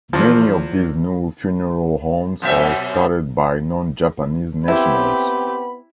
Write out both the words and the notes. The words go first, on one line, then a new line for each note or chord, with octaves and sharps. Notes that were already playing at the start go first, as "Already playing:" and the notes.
Many of these new funeral homes are started by non-Japanese nationals.
E2 F3
F#2 B2 E5
B3 C4 E4 G4 B5